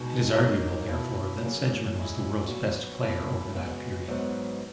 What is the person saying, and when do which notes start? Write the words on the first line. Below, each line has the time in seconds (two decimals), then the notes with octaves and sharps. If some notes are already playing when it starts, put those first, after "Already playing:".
It is arguable, therefore, that Sedgman was the world's best player over that period.
Already playing: B2 G#3 D#4 F#4
0.35 A#2 F#3 A#3 D#4
0.88 B2 A#3 E4
1.41 C#3 F#3 A#3
1.95 A#2 G#3 C#4 E4
2.48 A#2 F#3 B3 F#4
3.01 B2 A#3 E4
3.54 C#3 G#3 B3 F#4
4.08 G#2 F#3 B3